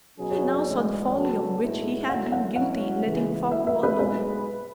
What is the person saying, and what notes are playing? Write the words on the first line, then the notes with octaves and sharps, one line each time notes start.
He now saw the folly of which he had been guilty in letting Fogg go alone.
B2 F#3 C#4 G#4
C#5
C#5
D5
B1 A2 E3 G#3 C#5
D5
C#3 F#3 B3 F#4 A4 C#5
B1 A2 G#3 B3 E4
F#2 D3 F#3 C#4 E4 F#5
F#5
B2 F#3 C#4 E4 F#5
C#2 C#3 E3 G#3
B2 A3 E4 E5
E5
B4
B1 B2 G#3 B4